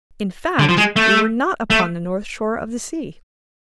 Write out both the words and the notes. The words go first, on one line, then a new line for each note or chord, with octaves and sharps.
In fact we were not upon the north shore of the sea.
D3
F3
G#3
A3
A3